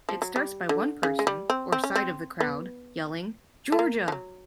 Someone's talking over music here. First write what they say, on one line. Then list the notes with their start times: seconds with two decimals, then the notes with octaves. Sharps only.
It starts by one person, or side of the crowd, yelling Georgia!
0.09 F3
0.22 F#3
0.36 G3
0.69 D3
1.03 C#3
1.19 G#3
1.27 G3
1.50 C4
1.72 C4
1.84 C#4
1.95 C4
2.40 B3
3.72 A3
3.79 A#3
4.08 F3
4.12 F#3